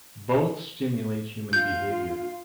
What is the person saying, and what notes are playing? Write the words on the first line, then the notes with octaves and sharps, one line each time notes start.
Both stimulate human behavior.
F4 G6